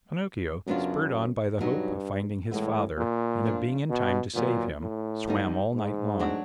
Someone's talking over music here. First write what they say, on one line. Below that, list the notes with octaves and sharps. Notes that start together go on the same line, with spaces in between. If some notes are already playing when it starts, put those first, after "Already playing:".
Pinocchio, spurred on by the hope of finding his father and of being in time to save him, swam all night long.
F#2 C#3 F#3 B3 D4 F4
G2 B2 F#3 B3 D#4
A2 E3 G#3 B3 E4
A#2
F3 A3 D4 F4
B2
A#2 D#3 F#3 B3
A2
G3 B3 D#4
G#2
F#3 A3 D4 F#4